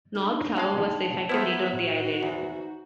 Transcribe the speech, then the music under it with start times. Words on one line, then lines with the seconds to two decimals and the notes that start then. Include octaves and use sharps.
Nobbs, however, was the effective leader of the island.
0.15 D4 D#4
0.56 G2 G#3 F5 A5
1.29 D#3 F3 B3 E4 B4 C5 E5 F#5
1.72 A2 F#4
2.23 E2 D#4